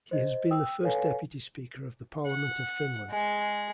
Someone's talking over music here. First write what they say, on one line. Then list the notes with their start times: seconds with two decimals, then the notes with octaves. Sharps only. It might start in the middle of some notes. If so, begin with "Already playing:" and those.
He has been the First Deputy Speaker of the Parliament of Finland.
0.11 C5 D#5
0.51 G5 D#6 E6
0.82 A4 B4 C#5 F5 G#5
2.27 F#5
3.11 G#3 G#4